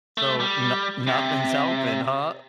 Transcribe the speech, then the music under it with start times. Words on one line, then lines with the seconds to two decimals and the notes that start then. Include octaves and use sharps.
So, no nothing's helping, huh?
0.18 A3
0.40 G3
1.07 C3